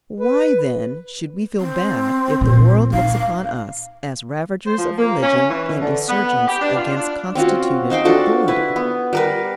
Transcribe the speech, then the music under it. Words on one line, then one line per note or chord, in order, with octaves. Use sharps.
Why, then, should we feel bad if the world looks upon us as ravagers of religion and insurgents against constituted authority?
B4
C4
A#2 F3
D#4 F5
C5
F3
A#3
C#4
E3
D3
B3
G4
D4
F4
D4
C4 C#4 F4 F#4
D#4 C5 F5 G5
D4 F4 F#4 A4
E4 B4
B3
G3 A#4 B4